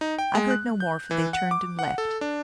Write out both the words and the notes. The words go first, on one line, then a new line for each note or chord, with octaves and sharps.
I heard no more, for they turned and left.
D#4
G5
G#3
F#6
G6
E3
F#5
D6
F#5
A4
D4